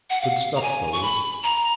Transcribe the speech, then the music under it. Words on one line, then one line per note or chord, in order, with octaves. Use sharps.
"Good stuff, those."
F#5
F5
A#5
G#5
C#6
B5
A#5